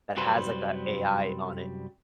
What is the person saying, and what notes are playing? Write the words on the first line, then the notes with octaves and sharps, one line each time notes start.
that has, like, a AI on it
C2 F#2 F#3 G3 B4 C5